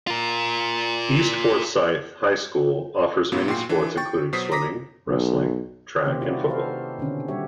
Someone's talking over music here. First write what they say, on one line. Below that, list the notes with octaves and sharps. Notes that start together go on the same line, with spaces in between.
East Forsyth High School offers many sports including Swimming, Wrestling, Track, and Football.
F4 A#4
G#2 B2 F#3 B3 E4 F4
A#2 F#4 G5 C6 C7
E3 D4
G5 C#6 A6
B2 F#3 C5 D#6 B6 C7
A#5 D6 D#6 A#6 B6
B1
C3 D#3 A#3 C#4 G4 C5
E4 F#4 D5
D#4 G4 A4 B4 C5 F5
B2 D3 D#3 C4 C#4
G3 D4 F#4 G4 C#5 E5